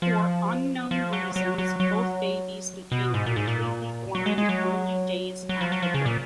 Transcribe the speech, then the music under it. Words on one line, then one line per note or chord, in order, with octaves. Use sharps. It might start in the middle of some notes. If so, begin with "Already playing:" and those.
For unknown reasons, both babies became completely blind only days after birth.
F3
F3
F#3
F#3
F#3
F#3
B2
G#2
A#2
G#2
A#2
F#3
G#3
G#3
F#3
F#3
F3
F#3
F3
C#3
A#2